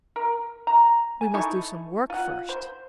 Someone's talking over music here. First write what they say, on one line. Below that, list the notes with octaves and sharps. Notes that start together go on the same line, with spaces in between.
"We must do some work first."
A#4
A#5
G#5
D#4 E4 A4 C#6
F4 F#5
C5